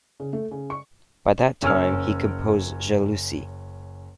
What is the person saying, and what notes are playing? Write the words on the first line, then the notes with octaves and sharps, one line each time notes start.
By that time he composed "Jalousie".
C#3
A3
C#3
C#6
F#1 C#4 E6 F6